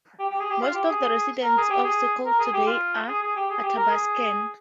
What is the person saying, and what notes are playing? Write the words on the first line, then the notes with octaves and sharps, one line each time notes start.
Most of the residents of Circle today are Athabascan.
G4
G4
G#4
G4
F4
G4
G#4
A#4
G#4
G4
G#4
A#4
G#4
G4
F4
G#4
G#4
G4
G#4
G4
A#4
G#4